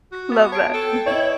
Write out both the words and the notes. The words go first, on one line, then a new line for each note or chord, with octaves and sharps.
Love that. Mhm.
F#4
B3
C#5 A5 C7 D7
A4 G5
E4 B4 C#5 D#5